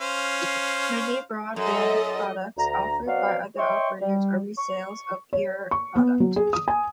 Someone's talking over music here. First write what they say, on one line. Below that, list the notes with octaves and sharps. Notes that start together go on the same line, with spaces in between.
Many broadband products offered by other operators are resales of the Eir product.
C#4 C5 F5
F#2 A4 D#5
D2 A#5
B2 F#3 C4 D5 F5 F#5
C#5 D#5 E5 G5 C6 C#6
G3
C#6
C#5
C#6
B3
F#3
G#4
D#6
G#5